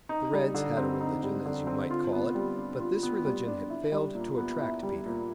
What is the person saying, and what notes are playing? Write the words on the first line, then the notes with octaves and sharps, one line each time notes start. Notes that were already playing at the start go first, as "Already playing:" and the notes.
The Reds had a religion, as you might call it; but this religion had failed to attract Peter.
D#4
G3
D3
C4
D#4
G3
D3
C4
F4
B3
G3
D4
F4
B3
G3
D4
E4
G3
A#2
B3
E4
G3
A#2